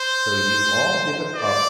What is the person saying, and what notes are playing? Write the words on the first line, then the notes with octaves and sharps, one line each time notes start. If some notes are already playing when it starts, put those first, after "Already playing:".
So you all give it up?
Already playing: C5
D5